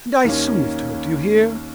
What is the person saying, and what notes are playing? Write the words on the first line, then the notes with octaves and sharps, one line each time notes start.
And I soothed her, do you hear?
D#2 D#3 A#3 C#4